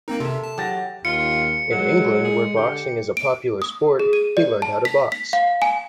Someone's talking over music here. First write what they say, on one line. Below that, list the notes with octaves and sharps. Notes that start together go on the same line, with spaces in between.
In England, where boxing is a popular sport, he learned how to box.
A#3 C4 D#4 A#4
C3 A4 E5 C6
A5
F#3 G4 A6 A#6
D#2 F4 C#7
F#3 G#3
G#4
D3 G4
D7
D#6
G#4
D#7
D5
A5
B6
B6
F5
G#5